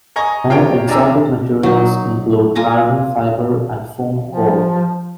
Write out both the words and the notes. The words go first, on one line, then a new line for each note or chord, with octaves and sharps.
More exotic materials include carbon fiber and foam core.
D#5 G#5 A#5 C#6
F4 G4 A#4 C#5 G5
E2 D4 D#4 G#5 A#5 E6
F#3 D#4
F4 G#5 A#5 D6
F3